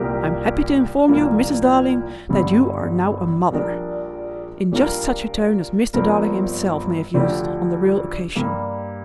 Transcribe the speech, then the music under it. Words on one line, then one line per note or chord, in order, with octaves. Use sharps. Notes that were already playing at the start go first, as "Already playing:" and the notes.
"I am happy to inform you, Mrs. Darling, that you are now a mother," in just such a tone as Mr. Darling himself may have used on the real occasion.
Already playing: C2 A#2 A#3 G4 A#4
C2 A#2 F3 A#3
G1 G2 D3 G3
A#1 A#2 G3 D4 A#4
A#2 G3 D4 F4 A#4
G1 G2 F3 C4 A#4
D2 D3 F3 D4 G4
G2 G3 A#3